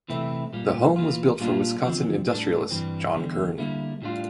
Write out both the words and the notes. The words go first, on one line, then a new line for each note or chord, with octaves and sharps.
The home was built for Wisconsin Industrialist John Kern.
C3 E3 A3 C4 E4
A#2 G3 A#3
E3 A#3 F4
A#2 G3 A#3 D4 F4
E2 D3 F3 C4
A2 G3 D4
G2 E3 G3 C4
E2 D3 G3
D3 G3 A#3 E4
A2 G3 D4 F4